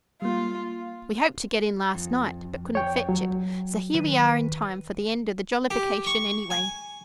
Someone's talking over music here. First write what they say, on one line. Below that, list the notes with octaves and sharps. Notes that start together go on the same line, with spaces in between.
We hoped to get in last night, but couldn't fetch it, so here we are in time for the end of the jollification, anyway.'
G3 A#3 F4
F2
C#5 G5
F#3
D#3 B4
G4
C#6
G#5